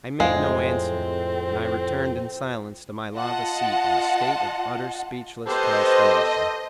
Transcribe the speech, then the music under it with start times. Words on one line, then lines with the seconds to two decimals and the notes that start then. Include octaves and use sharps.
I made no answer; and I returned in silence to my lava seat in a state of utter speechless consternation.
0.20 F2 A2 G#3 C4 F5
3.14 F4 D#5 F#5 A5
5.47 B3 G4 A4 C5 D#5